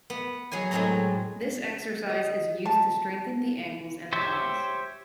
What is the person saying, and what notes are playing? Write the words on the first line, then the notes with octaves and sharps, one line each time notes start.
This exercise is used to strengthen the ankles and thighs.
B3
F#3 G#4 C#5 G#5
A2 F#3 G#3 C4 G#4 A#5
D#5
A5
G4 C5 C#5 E5